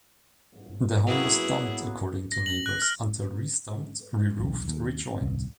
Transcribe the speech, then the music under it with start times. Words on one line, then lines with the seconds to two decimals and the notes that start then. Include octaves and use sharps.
The home was "dumped" according to neighbours, until restumped, re roofed, rejoined.
1.07 F#3 A#3 B3 E4 G#4
2.32 A#6
2.46 F#7
2.66 F#6
2.82 F6
4.39 D#1 B1 E2
4.68 D#2
5.21 D#1 C2